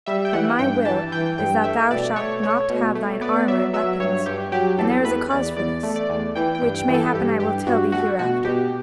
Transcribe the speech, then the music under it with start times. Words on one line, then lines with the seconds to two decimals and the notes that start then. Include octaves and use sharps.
But my will is that thou shalt not have thine armour and weapons; and there is a cause for this, which mayhappen I will tell thee hereafter.
0.06 G3 E5
0.25 G5
0.33 E3 F#5
0.59 G2 G5
0.85 E3 A5
1.12 E3 G5
1.38 G2 G5
1.64 A3 E5
1.91 B2 D5
2.16 A3 C#5
2.43 A3 C#5
2.70 B2
2.95 A3
3.21 B3 D5
3.48 F#3 E5
3.73 F#3 E5
4.00 G2 C#5
4.26 G2 G4
4.52 F#3 G4
4.78 E2 A4
5.04 E2 B4
5.30 E2 D5
5.56 E2 D5
5.83 A3
5.96 D5
6.10 E2
6.35 E3 G5
6.55 G5
6.61 G2
6.75 G5
6.88 E3
6.94 A4
7.14 G2 G4
7.40 G2 G4
7.67 G2 F#4
7.92 A3 F#4
8.19 B2 F#4
8.45 B2 G4